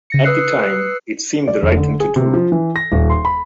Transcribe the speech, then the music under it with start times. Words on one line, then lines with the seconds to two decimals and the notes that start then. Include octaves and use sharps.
At the time, it seemed the right thing to do.
0.10 C#3 A#6 C#7
0.24 B4 D#6 E6 F#6 C7 C#7
1.48 D5
1.63 F1
1.77 D3
2.00 G#4
2.16 C3
2.34 F3
2.52 E3
2.76 A#6
2.92 D#1
3.10 C6
3.25 B5